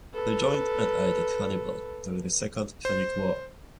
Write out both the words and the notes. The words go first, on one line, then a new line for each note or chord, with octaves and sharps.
They joined and aided Hannibal during the Second Punic War.
A4 B4
C5